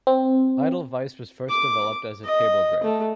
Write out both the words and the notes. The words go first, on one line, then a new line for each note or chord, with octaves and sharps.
Edelweiss was first developed as a table grape.
C4
D6
D#5
A3